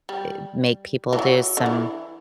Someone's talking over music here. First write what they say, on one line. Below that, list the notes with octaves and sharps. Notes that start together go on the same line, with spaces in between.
i make people do some
G3
E3
F#3
D3
E3